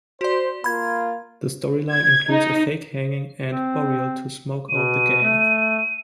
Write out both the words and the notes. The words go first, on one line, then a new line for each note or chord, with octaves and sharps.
The story line includes a fake hanging and burial to smoke out the gang.
F#4 C5 D5
A#3 F4 B5 G#6
G#6
D#4
C4
B2 D#7
A3